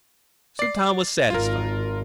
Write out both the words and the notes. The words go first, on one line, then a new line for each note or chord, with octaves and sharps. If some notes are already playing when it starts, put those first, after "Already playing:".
So Tom was satisfied.
D5 C7
G#1 F4 A#4